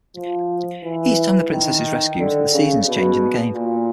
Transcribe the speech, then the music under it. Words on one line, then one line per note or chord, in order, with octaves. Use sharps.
Each time the princess is rescued, the seasons change in the game.
F3
E3
D#3
D3
C#3
B2
A#2